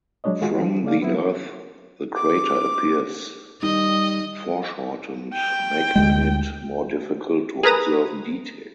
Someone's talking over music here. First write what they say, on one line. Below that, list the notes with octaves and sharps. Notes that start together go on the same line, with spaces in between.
From the Earth the crater appears foreshortened, making it more difficult to observe detail.
F#3 G#3 D4 C#5 D#5
D#3 G#3 F4 F#4 G#4
F3
C#3 A3 D5 F5
F#3 B3 C4 E4
D6
D#3 G3 D#5
G5
D2 G#3
G#4 A#4 B4 A#5 D#6